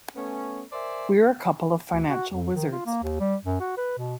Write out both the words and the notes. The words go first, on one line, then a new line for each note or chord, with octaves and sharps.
We're a couple of financial wizards.
A3 B3 C#4
A#4 C5 D5 E5 G#5
D2
F#4
F2
D#3
F4
A#3
D#2
G3
F#2
F#4
B4
B2